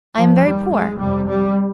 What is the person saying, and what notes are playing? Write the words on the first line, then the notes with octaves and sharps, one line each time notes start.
I am very poor.
F3
D#2 G3
G#3
F2 C3 G3
G3